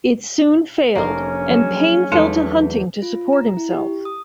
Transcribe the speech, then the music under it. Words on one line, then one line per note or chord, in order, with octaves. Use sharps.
It soon failed and Payne fell to hunting to support himself.
F1 A#3 C#4 D4 A#4
F#3 G#3 E7
E2 G#3 A3 D#4 A4
F4
A#5
E4
G4
D#6